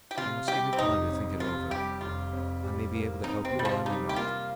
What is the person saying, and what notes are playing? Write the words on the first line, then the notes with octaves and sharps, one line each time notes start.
You must give me time to think it over; I may be able to help you or I may not.
G4
C3 F4
G3 G4
C4
F1 D#4
F2
C3 F4
G3 G4
F1 F4
F2
G3
A#3
F2 D#4
C4
C3 G3
F3
G3 D#4
G4
A#3 F4